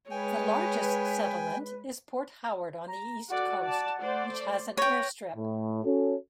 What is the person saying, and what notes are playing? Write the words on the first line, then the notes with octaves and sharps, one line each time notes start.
The largest settlement is Port Howard on the east coast, which has an airstrip.
G#3 B4 C#5 G5 G#5
A#5
F#4 A4 D5 F#5
D5 A5
A3 C5 D5
B4 C#5 G5 A#6
A2
C#4 F#4 A4